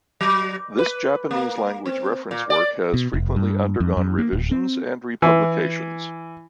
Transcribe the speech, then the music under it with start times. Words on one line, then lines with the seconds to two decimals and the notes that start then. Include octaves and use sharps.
This Japanese language reference work has frequently undergone revisions and republications.
0.21 F#3
0.79 B4
1.31 A#3
1.86 C4
2.31 A#2
2.50 D5
2.94 B2
3.14 F1
3.36 G2
3.80 F2
3.97 F#2
4.18 A#3
4.33 D1
4.51 C4
5.22 E3